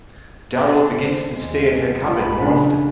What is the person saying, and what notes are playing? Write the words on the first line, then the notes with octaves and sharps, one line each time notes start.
Daryl begins to stay at her cabin more often.
D4 C5
D#2 F#3 G#3
B1 A#2 F4 B5
C#3 D4